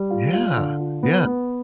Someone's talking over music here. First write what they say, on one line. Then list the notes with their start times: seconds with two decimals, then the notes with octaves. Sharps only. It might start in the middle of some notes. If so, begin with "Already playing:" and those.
Yeah, yeah.
Already playing: G3
0.10 F4
0.33 F4
0.56 D3
0.79 F4
1.03 B3
1.25 B3